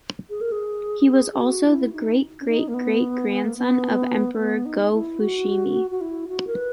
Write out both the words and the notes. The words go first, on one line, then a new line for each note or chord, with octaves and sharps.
He was also the great-great-great grandson of Emperor Go-Fushimi.
G#4
A#4
G#4
G#4
G#4
F#4
E4
D#4
C#4
D#4
A#3
B3
A#3
B3
B3
D#4
E4
F#4
F#4
E4
F#4
A#4
B4